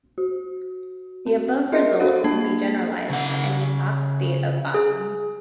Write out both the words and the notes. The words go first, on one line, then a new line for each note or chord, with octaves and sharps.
The above result can be generalized to any Fock state of bosons.
F#4
C4
F4 G#4 A#4 D#5 E5 C6
D4 F#4 A4 C5 F5 F#5
A#3 D4 A5 G#6 C7
C#3 F#5
G#4